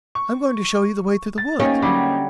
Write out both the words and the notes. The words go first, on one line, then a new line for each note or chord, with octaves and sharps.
I'm going to show you the way through the woods.
C#6
A6
A#3 C#4 D#4 G4
D3 F#3 G3